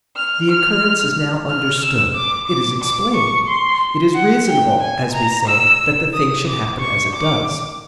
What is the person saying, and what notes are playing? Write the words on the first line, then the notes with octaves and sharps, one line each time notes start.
The occurrence is now understood; it is explained; it is reasonable, as we say, that the thing should happen as it does.
F6
F6
F6
E6
D6
D6
D6
C#6
C6
F#5
G5
G#5
A#5
E6
D#6
D6
C#6
D6